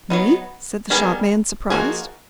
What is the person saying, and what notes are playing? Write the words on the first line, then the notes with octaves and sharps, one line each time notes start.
"Me?" said the shopman, surprised.
F#3 B3 D#4
D#3 G3 B3 G#4 A#4
F3 A#3 D#4 F#4 G#4